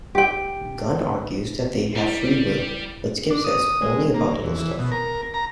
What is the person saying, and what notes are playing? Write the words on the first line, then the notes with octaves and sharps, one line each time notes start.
Gunn argues that they have free will, but Skip says only about little stuff.
G4 G5
G3 E4
D4
D#6
G#3
A#3
E2
E3
B2
A#4
A#5